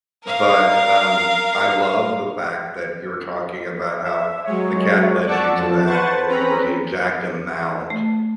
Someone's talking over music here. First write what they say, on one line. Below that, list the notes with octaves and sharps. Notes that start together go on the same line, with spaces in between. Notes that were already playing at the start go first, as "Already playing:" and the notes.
but, um, I love the fact that you're talking about how the cat led you to that, and then it was the exact amount
A#4 F5
E5
F#3 G#3 C#5
D5 F#5 A5 C#6 D6 E6
F2 F3 A5
B4 C5 F#5 A5 C#6 A6
C4 C#4 B4 A#5 B5
A3